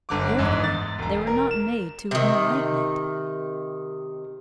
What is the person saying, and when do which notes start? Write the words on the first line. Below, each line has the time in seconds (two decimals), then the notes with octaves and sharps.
Therefore they were not made "to enlighten it."
0.09 G1 D3 D6
0.38 E2 G#2
0.64 A6
0.99 E1 A#5
1.27 A#4
1.51 E7
2.11 C3 D#3